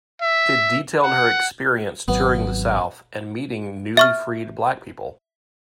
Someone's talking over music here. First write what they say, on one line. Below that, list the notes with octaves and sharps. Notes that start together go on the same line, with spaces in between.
It detailed her experience touring the South and meeting newly freed Black people.
E5
F#5
G#1 F#3 B3
E5 C#6 F6